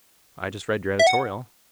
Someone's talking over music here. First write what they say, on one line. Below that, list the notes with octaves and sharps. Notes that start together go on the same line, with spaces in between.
"I just read your editorial."
E5
F#5